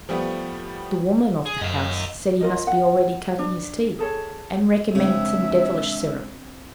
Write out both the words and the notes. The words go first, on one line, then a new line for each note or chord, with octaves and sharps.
The woman of the house said he must be already cutting his teeth, and recommended some devilish sirup.
F3 G3 A3 B3
G#4
F#2 D#5 F5
F4 A#4 D#5
F#5
D4
G#4 A4 C#5
C#3 G#3 C4 D4 E5